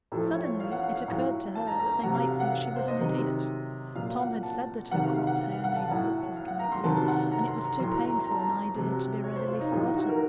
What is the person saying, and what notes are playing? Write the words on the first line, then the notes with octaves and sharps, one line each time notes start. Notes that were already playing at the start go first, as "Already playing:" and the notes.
Suddenly it occurred to her that they might think she was an idiot; Tom had said that her cropped hair made her look like an idiot, and it was too painful an idea to be readily forgotten.
A2 F3 A4
C#5
F5
F#5
F#5
F5
A2 F#3
A5
A#5
A#5
A#5
C3 F#3 F#5
F5
F5
F#5
F5
C5
D#5
C3 D#3 F#3
A#2 F#3 F5
F#5
A5
C3 D#3 F#3 F#5
F5
F5
F#5
F5
F#5
A5
A2 F#3 F#5
F5
F#5
A#5
C6
C3 D#3 F#3 A5
A5
F#5
A#5
C6
A#5
A2 F#3 C6
A#5
A#5
C6
A#5
A5
A#5
C3 F#3
C#5
C5
F4
D#4
A2 F#3 F4
D#4
F#4
A#4